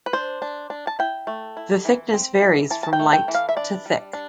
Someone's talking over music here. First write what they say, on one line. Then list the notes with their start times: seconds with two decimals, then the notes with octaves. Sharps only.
The thickness varies from light to thick.
0.06 B4
0.13 D4 C5
0.42 D4
0.70 D4
0.87 A5
0.99 E4 G5
1.27 A3
1.57 E4
1.85 E3
2.14 C4
2.42 E3
2.70 E3 A5
2.83 A5
2.93 G5
2.99 A3
3.13 G5
3.28 E3
3.35 F5
3.49 E5
3.57 D4 D5
3.86 G3
4.13 D4